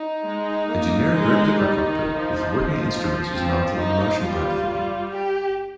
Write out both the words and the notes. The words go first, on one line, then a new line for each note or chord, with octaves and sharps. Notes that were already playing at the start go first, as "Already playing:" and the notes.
A generic replica cockpit with working instruments was mounted on the motion platform.
Already playing: D#4
G#3
A#3
G#3
G3
D#3
F3
C4
D#4
G3 F4
G3
G4